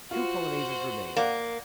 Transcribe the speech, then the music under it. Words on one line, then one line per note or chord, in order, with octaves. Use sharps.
Two Polonaises remain.
F4 F#4 C5
A#3 D5 F#5